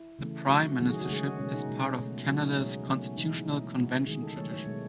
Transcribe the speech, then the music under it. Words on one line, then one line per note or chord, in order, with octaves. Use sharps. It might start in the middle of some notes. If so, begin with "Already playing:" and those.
The prime ministership is part of Canada's constitutional convention tradition.
Already playing: E4
C#3 E3 A3
C#3 F#3 A3 F#4
D#3 F#3 A3 F#4
G#4
F#4
C#3 G#3 G#4
F#4
B2 G#3 C#4
D#4
B2 G#3
B2 A3
C#3 F#3 A3 F#4
D#4
B2 G#3 C#4
B3
B2 F#3 A3 C#4
C#3 E3 G#3 D#4
E4
D#4
B2 A3 E4
C#3 G#3 F#4
D#3 G#3 G#4
A4
D#3 F#3 A3 C#5
C#5
B2 G#3